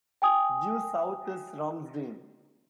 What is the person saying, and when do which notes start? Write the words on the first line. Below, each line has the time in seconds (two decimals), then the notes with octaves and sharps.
Due south is Ramsden.
0.22 G5 G#5 D#6